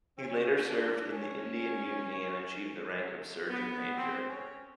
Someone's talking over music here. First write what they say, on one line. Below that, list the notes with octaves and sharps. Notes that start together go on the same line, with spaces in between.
He later served in the Indian Mutiny and achieved the rank of surgeon major.
C#4
D4
C#4
B3
C4
C#4